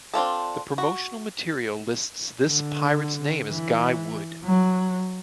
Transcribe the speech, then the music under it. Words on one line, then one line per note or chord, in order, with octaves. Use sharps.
The promotional material lists this pirate's name as Guy Wood.
C4 D4 F4 A4
F#4
D3
E3
F#3